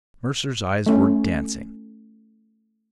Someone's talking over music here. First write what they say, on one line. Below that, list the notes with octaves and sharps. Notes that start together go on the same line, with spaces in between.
Mercer's eyes were dancing.
A3 C#4